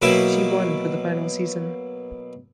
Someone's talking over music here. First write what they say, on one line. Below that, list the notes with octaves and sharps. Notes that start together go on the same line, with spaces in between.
She won for the final season.
B2 F#3 A#3 E4 E5 G5